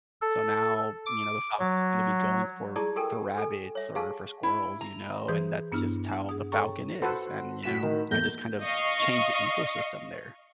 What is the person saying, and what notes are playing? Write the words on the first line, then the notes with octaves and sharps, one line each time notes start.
so ,now, you know, the falcon's gonna be going for for rabbits or for squirrels, you know, and that's just how the falcon is and, you know, I just kind of changed the ecosystem there.
A4
D6
F#3
E4 G4 G#4 D5 A5 D#6
G4 A4 A#4 G5 G#5
G4
A4 G#5
C#5 E5
G4 G#4 F5 G#5 A5
E4
A#5
E3 G#4 B4 C5 C6 D#6
G2 B3 D4 E4 F6
D4 F#5
G#4 D#6
A4 C#5 G5 A#5 C#6
F#4 A4 B4 C5 F#5 C6
A2 F#4 B6 E7
D#3
E2 A3 A#3 G6 A#6
D#5 F5 C#6